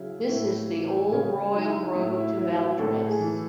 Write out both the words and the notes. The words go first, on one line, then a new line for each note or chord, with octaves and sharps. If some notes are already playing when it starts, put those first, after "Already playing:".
This is the old royal road to Valdres.
Already playing: C#3 F#3 E4
A2 E4
E3
C#3 C#4
F#3 D#4
E4
D#4
A2 E4
E4
F#3 E4
E4
F#4
A2 A4
G#4
E3